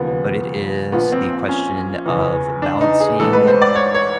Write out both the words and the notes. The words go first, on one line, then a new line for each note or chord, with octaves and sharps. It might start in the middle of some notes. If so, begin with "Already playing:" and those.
but it is the question of balancing
Already playing: E1 D#2 C#3 F3 B3
A#1 A#2 F3 B3
C4
C#4
E2 C#3 E3
D4
D#4
G#4
A1 G#2 E3 A4
B4
C5
D5
C#5
C#5